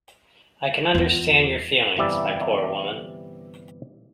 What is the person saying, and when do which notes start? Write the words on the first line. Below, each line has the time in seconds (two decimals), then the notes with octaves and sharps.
I can understand your feelings, my poor woman.
0.95 E2 F4
1.97 G1 C3 E3 G3 D5 E5